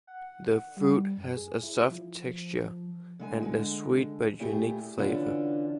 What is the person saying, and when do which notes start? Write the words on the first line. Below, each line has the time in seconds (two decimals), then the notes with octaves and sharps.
The fruit has a soft texture and a sweet but unique flavor.
0.07 F#5
0.77 G3
1.17 F#2
1.36 G#4
1.63 E4
1.90 F3
3.19 D3 G#3 G#5
3.43 D3 G#3
4.39 A#2 A3 E4 G4 G#4
4.98 D3 E3 C#4 D4 F4 F#4